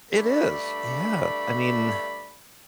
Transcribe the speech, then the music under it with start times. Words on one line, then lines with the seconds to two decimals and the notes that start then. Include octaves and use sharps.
It is. Yeah. I mean
0.15 G2 A3 D4 D5 B5